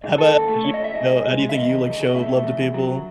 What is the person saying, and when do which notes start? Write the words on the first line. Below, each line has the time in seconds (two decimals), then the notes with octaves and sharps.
How 'bout uh, you know how do you think you, like, show love to people?
0.04 G#2
0.18 G#2 A4
0.33 D#2
0.48 A3
0.64 C#2 C#5
0.74 D#5
0.79 C#2
0.84 E5
0.94 G#2 D#5
1.09 G#2
1.24 G#2
1.39 G#3
1.49 E5
1.54 D#3 D#5
1.69 D#3
1.84 C#2
2.00 C#3
2.06 D#5
2.14 A2 E5
2.29 A2
2.44 E2
2.59 E2
2.74 F#3